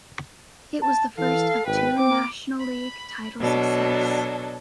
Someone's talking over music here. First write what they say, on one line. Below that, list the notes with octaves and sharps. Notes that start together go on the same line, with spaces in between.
It was the first of two National League title success.
A5
E3 A4 F5
G#1 B4 G5
C4 D6
B5
B2 F#3 D4 A4